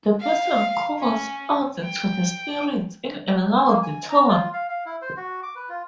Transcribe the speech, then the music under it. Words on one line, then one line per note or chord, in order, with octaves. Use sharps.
The person calls out to the spirits in a loud tone.
F5
C#4
G5
A#3
G#5
A#5
F4
F5
F5
E4
C5
F#4
D6
B4
F4